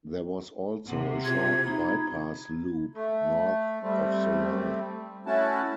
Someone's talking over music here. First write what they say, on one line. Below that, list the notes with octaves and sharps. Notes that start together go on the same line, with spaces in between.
There was also a short bypass loop north of the line.
C3 F#5
E4 F4 G#4 G#6
D#4 A#5 B5
A3
G3 A3 C4
A3 C#4 E4 F#4 A5